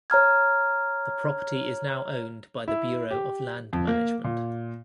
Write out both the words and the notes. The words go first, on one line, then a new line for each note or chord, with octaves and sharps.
The property is now owned by the Bureau of Land Management.
C#5 A#5 F6 G#6
E4
G4
F2
A#3
A#2